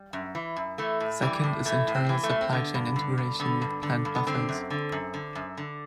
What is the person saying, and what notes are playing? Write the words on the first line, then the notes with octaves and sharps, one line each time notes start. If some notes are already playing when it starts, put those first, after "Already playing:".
Second is internal supply chain integration with planned buffers.
Already playing: G3
F#2
E3
F#2
E3 A3
A2
E3 G3
A2
E3 A3
A2
C4
E3
A3
A2
C4
D3 B3
G2
D3
G2
D3 B3
G2
D3
G2
B3
D3 C4
F#2
D3
F#2
D3
F#2
D3